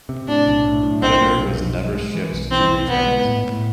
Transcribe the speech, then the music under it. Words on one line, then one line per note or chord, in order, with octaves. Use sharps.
Predator was never shipped to retailers.
C3
A2 D4
B1
A2
A2
B1 C4
B1
B1
B1
B1
G#3
E3
B1
E3 C4
B1
B1 B3
G#3
A2
A2